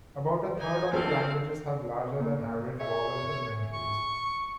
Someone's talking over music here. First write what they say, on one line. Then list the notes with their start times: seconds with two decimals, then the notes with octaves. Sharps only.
About a third of the languages have larger than average vowel inventories.
0.58 D#4 G#5
0.93 A#1 C4 A4 F5
2.20 A#2
2.79 G#4 C#5 E5
3.73 C#6